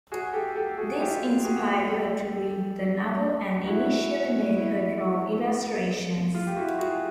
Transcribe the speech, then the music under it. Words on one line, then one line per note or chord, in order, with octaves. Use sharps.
This inspired her to read the novel and initially made her draw illustrations.
F#4 G#4
G4 A4
G4 A4
F#4 G#4
F4 G4
F#4 G#4
G4 A4
E4 F#4
E4
F4
G4
E4 F#4
F#4 G#4